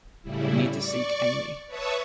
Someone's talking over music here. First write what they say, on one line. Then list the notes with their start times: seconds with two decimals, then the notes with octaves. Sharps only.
We need to seek Amy.
0.23 A2 C#3 G3 E4
0.73 D5 C#6
1.67 B4 C#5 E5 A5 C#6 D#6